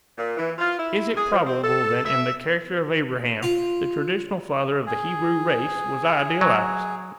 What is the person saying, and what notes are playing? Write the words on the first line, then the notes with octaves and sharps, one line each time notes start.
Is it probable that in the character of Abraham the traditional father of the Hebrew race was idealized?
A#2
E3
F4
E4
G#4
F3
C4
A4
E5
F4
G#4
F#3